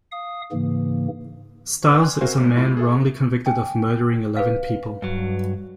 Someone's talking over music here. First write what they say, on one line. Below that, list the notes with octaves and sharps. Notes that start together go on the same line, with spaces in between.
Stiles is a man wrongly convicted of murdering eleven people.
F5 D#6
G#2 C#3 E3 A#3
B4 D5 D6 F6
G5 G#5 C6 F#6
C4 F#4 A#4 C5 E5 G#5
B1 G#3 A#3
A2 G#3 E4 F4
G#4 A4 E5
G5 G#5
B4 F5
G2 F#3